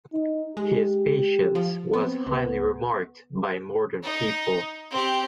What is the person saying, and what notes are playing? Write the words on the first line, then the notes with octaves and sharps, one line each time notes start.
His patience was highly remarked by modern people.
D#4
G#3 G4
F3
B3 C4
C#2 B3
D#4
C4 G4